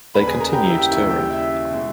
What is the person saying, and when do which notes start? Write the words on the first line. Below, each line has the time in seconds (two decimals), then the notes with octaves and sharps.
They continued touring.
0.14 D#2 C#3 G3 B4 B5
0.27 G#4 G#5
0.40 A#4 A#5
0.53 G4 G5
0.66 E4 E5
0.78 G4 G5
0.91 D#2 C#3 G3 E4 E5
1.11 G4 G5
1.30 E4 E5
1.70 B2 G#3